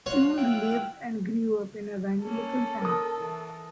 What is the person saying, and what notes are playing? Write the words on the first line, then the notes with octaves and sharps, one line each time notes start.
Chung lived and grew up in an evangelical family.
F4 F#4 C5 C#5
E4 F4 F#5 G5
A#3 C#4 A4
A#4 D#6
E3